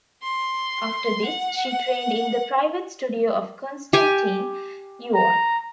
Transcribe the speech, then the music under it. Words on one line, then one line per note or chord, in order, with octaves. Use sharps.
After this, she trained in the private studio of Konstantin Yuon.
C6
F#5
G4 G#5
A#5